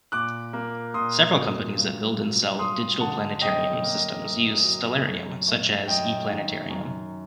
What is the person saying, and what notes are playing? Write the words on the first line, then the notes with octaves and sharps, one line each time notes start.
Several companies that build and sell digital planetarium systems use Stellarium, such as "e-Planetarium".
A#2 D6 F#6
A#3
A#2 C6 D#6
F#3
G2
F#3
G2 C6 D#6
D3 F#5 A5
F#2 D#5 G5
A#3
F#2
F#3
F#2
A3
F#2 D#5 G5
D#3
F#2